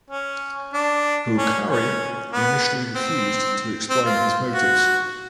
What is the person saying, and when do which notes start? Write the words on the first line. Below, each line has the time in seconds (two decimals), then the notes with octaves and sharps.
Bukhari initially refused to explain his motives.
0.10 C#4
0.73 D4
1.37 C#4
1.69 C#4
2.32 B3
2.95 C4
3.90 C4
4.05 F4
4.53 F#4